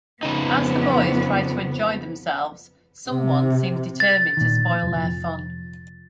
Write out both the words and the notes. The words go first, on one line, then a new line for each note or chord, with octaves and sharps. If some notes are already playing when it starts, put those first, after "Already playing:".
As the boys try to enjoy themselves, someone seems determined to spoil their fun.
F2 C#3 B3 D#4
C3
A6
A#2 D#3
F1 F3